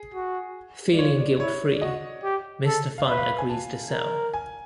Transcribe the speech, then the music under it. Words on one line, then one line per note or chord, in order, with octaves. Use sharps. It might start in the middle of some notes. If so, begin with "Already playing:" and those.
Feeling guilt-free, Mr. Fun agrees to sell.
Already playing: G#4
F#4
D5
F4 C#5
D5
D5
E4 C#5
D5
F#4 D#5
G4
A4
F5
B4 E5
F5
G#5
A5
A#4
G#5